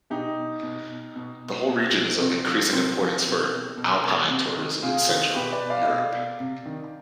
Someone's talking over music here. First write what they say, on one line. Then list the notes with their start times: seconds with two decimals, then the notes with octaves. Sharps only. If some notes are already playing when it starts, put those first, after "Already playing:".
The whole region is of increasing importance for alpine tourism in Central Europe.
0.10 B2 D#4 G4
0.63 B2
1.16 B2
1.68 B2
2.20 C3 C4
2.47 F3
2.73 C3 C4
2.99 F3
3.25 B2
3.77 B2
4.30 C3
4.57 D#3
4.82 C3 F4 G#4
5.09 D#3
5.34 B2 G4 B4
5.52 B4 D5
5.70 D5 F5
5.82 D#5
5.88 B2 D5 F5
6.40 C3
6.66 D#3